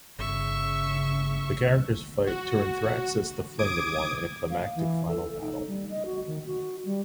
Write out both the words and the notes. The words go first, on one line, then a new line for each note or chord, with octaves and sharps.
The characters fight Tyranthraxus the Flamed One in a climactic final battle.
G1 C#3 E5 C#6
F#4
D6 D#6 G#6 D7
F5
E3
A4
D#4
G3
D#5
F#4
D#3
F#4
G3